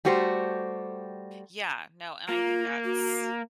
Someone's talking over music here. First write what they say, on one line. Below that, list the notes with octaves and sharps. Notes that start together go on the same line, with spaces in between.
Yeah, no, and I think that's
G3 A3 F#4 G4 C5
A#3 F4
F#4